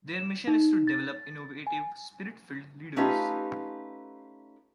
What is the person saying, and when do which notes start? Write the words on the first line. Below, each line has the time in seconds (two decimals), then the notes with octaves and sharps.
Their mission is to develop innovative spirit-filled leaders.
0.14 E7
0.48 D#4
0.87 A6
1.67 G#5
2.96 A3 C#4 D#4 F4 G4 B4